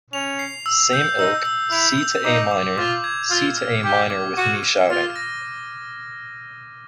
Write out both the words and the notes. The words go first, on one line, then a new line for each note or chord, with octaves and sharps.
Same ilk: C to A minor, C to A minor-with me shouting.
C#4 F7
C7
E6
G6
D#4 E6
E6
E4 F7
E6
D#4 D6
D6
F4 D6
G#6
F4 F6
F6
G4 D6
D6
F#4 D#7
F6
F4 F6
A#6